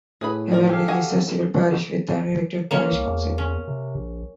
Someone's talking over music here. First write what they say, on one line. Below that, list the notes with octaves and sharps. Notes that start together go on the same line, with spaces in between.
Everleigh is a civil parish with an elected parish council.
A2 G#4 B4 B5
A#4 C5 D5
G#3 G4 A4 F5
F#4 F#5 G#5
A#3 C#4 C#5
C2
E2
C#4
C3
A#1